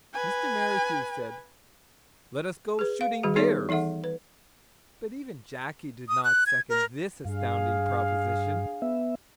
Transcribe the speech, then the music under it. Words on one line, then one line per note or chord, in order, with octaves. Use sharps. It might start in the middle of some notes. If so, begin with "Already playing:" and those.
Mr. Merrithew said "Let us go shooting bears," but even Jackie did not second this astounding proposition.
B4 G#5
G#4 B4
F5
D#3 G3 F#4 G#4
B3 D#4 G#4 C#5 D5 E5
E3 D#4 A4 E5 F#5
B4
D#6
F#6
G#6
A#4
G2 D4 G#4 F5
B3 E5